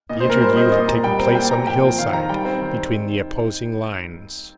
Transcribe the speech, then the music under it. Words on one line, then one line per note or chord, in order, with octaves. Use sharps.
The interview had taken place on the hillside between the opposing lines.
A#2 D#5
C5
A#2 A#4
G3 C5
C4 D#5
A#2 D#5
A#2 A#5
G3 G5
C4 A#5
A#2 G5
A#2 A#5
F3 G5
C4
D#3 F5
D#3 A#5
G3 G5
C4
D#3